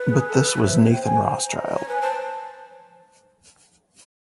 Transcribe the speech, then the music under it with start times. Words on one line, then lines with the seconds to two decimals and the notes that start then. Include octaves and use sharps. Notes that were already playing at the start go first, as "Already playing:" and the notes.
But this was Nathan Rothschild.
Already playing: B4
0.09 G#4
0.28 A4
0.57 C#5
0.64 C5 E5
0.78 C#5
0.91 G5
1.05 G#5
1.47 A#5
1.74 C#5 A#5
1.88 B4 G#5
2.01 C5 A5